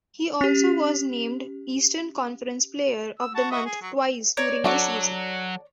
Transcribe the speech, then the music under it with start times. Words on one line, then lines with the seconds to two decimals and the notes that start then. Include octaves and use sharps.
He also was named Eastern Conference Player of the Month twice during the season.
0.41 C#4 G4
3.19 E6
3.35 F#4 A5
3.51 F#4 D#5 E5
3.66 G#4
3.82 F#3
4.37 C#5 D5 A#5
4.64 F#3 D4 F#4 A4